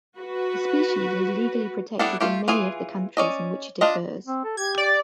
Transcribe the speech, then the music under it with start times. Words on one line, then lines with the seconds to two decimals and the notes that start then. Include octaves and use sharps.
The species is legally protected in many of the countries in which it occurs.
0.18 F#4 B4
1.99 G3 B3 D4 E4 A4
2.20 A3 F4 G4
2.48 E3 F4 G#4 G#5
3.17 C#4 D5 D#5
3.81 D4 F4 D#5
4.27 C4
4.44 A4
4.57 G4 G#6
4.78 D5